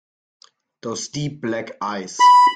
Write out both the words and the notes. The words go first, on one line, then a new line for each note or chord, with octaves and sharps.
Those deep black eyes!
B5